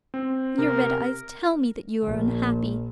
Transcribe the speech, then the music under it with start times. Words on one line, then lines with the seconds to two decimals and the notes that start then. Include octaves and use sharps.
Your red eyes tell me that you are unhappy.
0.14 C4
0.58 C3 A#4
2.03 A#1